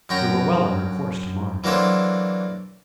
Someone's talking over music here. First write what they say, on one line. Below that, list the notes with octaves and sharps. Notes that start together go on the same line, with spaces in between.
We were well on our course to Mars.
F#2 F#4 G5 A#5
E3 F#3 A#3 D4 A4 C5